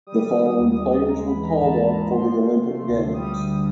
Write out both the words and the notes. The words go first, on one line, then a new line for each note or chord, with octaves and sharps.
The following players were called up for the Olympic Games.
G3 D#6
D#3
D#2
D#2
G#3 A#5
B5
E3
A#5
G#2 A5
G#2
F3 C6
C3
A3
D2
G3 D#6
D3